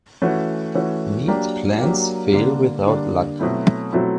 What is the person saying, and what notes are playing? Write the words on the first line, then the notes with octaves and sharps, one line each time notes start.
Neat plans fail without luck.
E3 A3 C#4 F#4
E3 A3 C#4 F#4
F#3 A#3 D4 G4 A#4
F#3 A#3 D4 G4 A#4
D3 G3 A#3 D4
D3 G3 A#3 D4
B2 F#3 A3 C4 E4
B2 F#3 A3 C4 E4